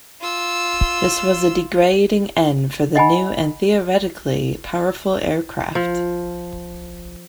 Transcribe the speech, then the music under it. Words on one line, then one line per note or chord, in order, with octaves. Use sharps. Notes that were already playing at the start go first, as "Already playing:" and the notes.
This was a degrading end for the new and theoretically powerful aircraft.
F4 E6
D#5 F#5 G#5 B5
F3